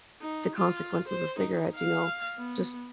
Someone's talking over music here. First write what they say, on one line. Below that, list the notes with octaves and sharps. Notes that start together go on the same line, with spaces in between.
the consequences of cigarettes, you know, just
D#4
F4
C5
D#4
F5
B3